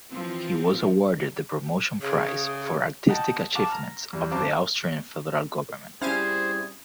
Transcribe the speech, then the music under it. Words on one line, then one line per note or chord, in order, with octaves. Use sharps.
He was awarded the Promotion Prize for Artistic Achievements of the Austrian Federal Government.
E3 F3 C4 F4
C#3 G#4
D#5 F#5 G5 A5
F5 F#5 A5 D6
A#5 F6
E2 G3
F#2 C4 F5 A5 D6
G3 C4 C#4 E4 G#4 C5 F5 D#7